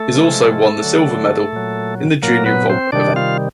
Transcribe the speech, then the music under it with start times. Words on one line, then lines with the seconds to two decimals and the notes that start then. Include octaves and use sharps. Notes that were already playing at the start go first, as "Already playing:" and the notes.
He also won the silver medal in the junior vault event.
Already playing: A3 A4
0.12 C3 F3 G#3
0.82 D3 F#3
1.52 A#2 F#3
2.22 A#2 F#3 A#3 A#4
2.46 B3 B4
2.69 C4 C5
2.92 C3 D#3 G3 D4 D5
3.16 F4 F5